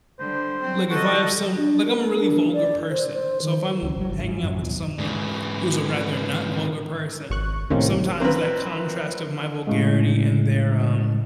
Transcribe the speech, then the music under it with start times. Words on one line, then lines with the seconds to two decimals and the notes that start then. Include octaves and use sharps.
Like, if I have some like, I'm a really vulgar person. So if I'm hanging out with someone who's a rather not vulgar person, sometimes that contrast of my vulgarity and their, um
0.19 D3 G3 C5
0.61 F#3 C4
0.90 F#4 A4 D#5
1.57 D4
1.86 A#4
2.19 D4
2.53 D5
2.90 C5
3.13 C5
3.42 D#3
3.83 C#2 C#3
3.96 G#1 F#3
4.10 G#1 D3
4.23 G#2
4.41 A1 F#2
4.61 D#2 B2
4.98 G#2 E3
7.30 G#1 C#6 F#6
7.70 A2 C3 D#3 A#3 C4 C#4
8.20 A#3 C4 A#4 B4
9.67 A2 C#3 G#3